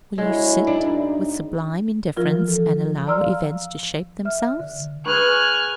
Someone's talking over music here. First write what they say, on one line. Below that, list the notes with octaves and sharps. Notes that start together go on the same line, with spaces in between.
Will you sit with sublime indifference and allow events to shape themselves?
D3 F#3 G#3 E4 C#5
F#2 D4 D#4
E3 F3 F4 A#4
A4
D5 A#5 C6 E6 F6
F5
E5 F6
D3
G#4 B4 C#5 G#5 F6 F#6